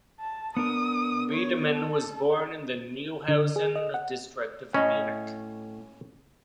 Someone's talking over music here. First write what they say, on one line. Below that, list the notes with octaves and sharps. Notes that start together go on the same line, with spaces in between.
Wiedemann was born in the Neuhausen district of Munich.
A5
B3 D4 A#4 D#6
C#5
A4
D3
G#4
D#5
F#5
A2 C#4 D#5 B5